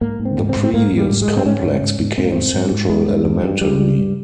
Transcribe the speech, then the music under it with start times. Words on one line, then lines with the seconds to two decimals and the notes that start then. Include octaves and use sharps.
The previous complex became Central Elementary.
0.01 G#2 A#3
0.20 G#2
0.25 C4
0.38 G#2
0.49 C4
0.56 G#2
0.63 C4
0.74 G#2 A#3
0.92 G#2
0.97 G3
1.10 G#2
1.22 G#3
1.28 G#2
1.36 C4
1.46 G#2 C#4
1.64 G#2
1.81 G#2
2.00 G#2
2.18 G#2 C4
2.25 A#3
2.32 G#2 C4
2.53 G#2
2.71 G#2
2.89 G2 G#3
3.08 G2
3.26 G2
3.43 G2
3.61 G2 G3
3.80 G2
3.98 G2